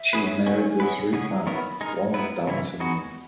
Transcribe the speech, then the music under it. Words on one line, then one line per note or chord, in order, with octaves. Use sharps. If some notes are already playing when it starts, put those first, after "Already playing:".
She is married with three sons, one with Down Syndrome.
Already playing: E5
F#3 C#4 G#4 B4
D#3 F#3 A#3 C#4 F#5
G#5
G#5
F#3 B3 E4 B4
C#3 G#3 C#4 G#4 F#5
A#5
D#3 F#3 B3 E4 A#4 B5 C#6
G#3 D#4 A#4 A#5
B3 E4 B4 A#5
C#3 E3 A#3 E4
G#3 D#4 F#4 B5